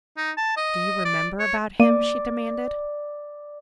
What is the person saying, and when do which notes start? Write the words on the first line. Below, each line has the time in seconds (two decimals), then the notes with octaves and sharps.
"Do you remember about him?" she demanded.
0.17 D#4
0.37 A5
0.57 D#5
1.05 D5
1.39 C#5
1.80 A#3 D5 D6 D#7